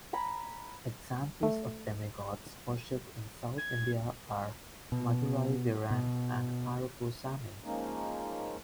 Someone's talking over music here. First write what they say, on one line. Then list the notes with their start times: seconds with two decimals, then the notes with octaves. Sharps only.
Examples of demigods worshiped in South India are Madurai Veeran and Karuppu Sami.
0.13 G#5 A#5 B5
1.43 A3
3.58 G#6
4.92 B2
5.91 B2
7.64 F3 G#3 A#3 C#4 D#4